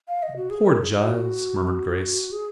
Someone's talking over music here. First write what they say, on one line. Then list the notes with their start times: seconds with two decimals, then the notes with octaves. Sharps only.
"Poor Giles!" murmured Grace.
0.08 F5
0.23 D#5
0.36 F#4
0.50 G#4
0.64 A#4
0.83 G#4
1.01 F#4
2.32 G#4